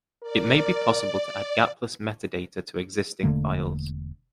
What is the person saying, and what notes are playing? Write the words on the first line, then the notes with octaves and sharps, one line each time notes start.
It may be possible to add gapless metadata to existing files.
A#4 D5
E1 D3 A3 A#3